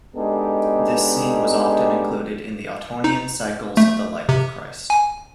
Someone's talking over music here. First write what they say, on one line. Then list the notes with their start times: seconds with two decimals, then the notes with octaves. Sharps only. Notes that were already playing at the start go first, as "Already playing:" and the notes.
This scene was often included in Ottonian cycles of the Life of Christ.
0.16 G#3 B3 D4 D#4 G4 A4
3.04 D#4
3.77 A3
4.29 C3
4.90 G#5